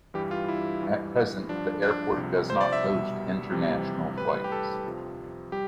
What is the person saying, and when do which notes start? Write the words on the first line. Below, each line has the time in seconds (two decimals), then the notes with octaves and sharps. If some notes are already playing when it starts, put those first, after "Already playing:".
At present the airport does not host international flights.
0.14 G2 E3 G3 G4
0.31 F4
0.48 E4
0.82 G2 E3 G3
1.49 G2 F3 D4
1.82 D4
2.16 C2 C3 F3
2.50 C5
2.61 D5
2.73 E5
2.83 C2 B2 G3
3.50 F2 C3 E3 G3
4.18 A2 G3 B4
4.44 G4
4.52 A4
4.86 F2 C3 F3
5.52 G3 G4